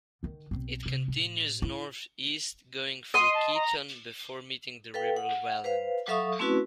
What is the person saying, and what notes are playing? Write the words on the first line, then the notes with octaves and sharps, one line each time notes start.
It continues north-east, going through Ketton, before meeting the River Welland.
D3 D#3
B1 C4
C3
A2
E4
D#5 C6 D#7
A5
A#5
A4 B4 F5 G5
F#5
B4 C5 F5
F#3 A4 E5 F5 C#6 D#6
A3 C4 C#4 E4 F#4 B4